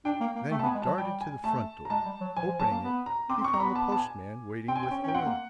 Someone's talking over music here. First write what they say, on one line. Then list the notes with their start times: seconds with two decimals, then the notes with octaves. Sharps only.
Then he darted to the front door. Opening it, he found the postman waiting with a letter.
0.05 D4 G5
0.20 A#3
0.36 A#3
0.51 A3 G5
0.59 A5
0.63 B3
0.66 G#5
0.75 G#3
0.82 F#3 A5
0.97 G3 G5
1.21 G#5
1.44 A3 A5
1.85 A#5
1.90 G#3 A5
2.05 G3
2.21 F#3
2.37 F3 G#5
2.48 F3
2.60 F#3 A5
2.71 A#3
2.82 B3
3.06 A#5
3.30 C4 D6
3.41 C4
3.45 C#6
3.53 C4 A#5
3.60 B3 B5
3.75 A5
3.92 A5
3.99 G#5
4.68 C4 G5
4.76 G#5
4.79 C4
4.83 G5
4.91 C#4
5.03 C#4
5.08 G5
5.15 C4 F#5
5.26 A#3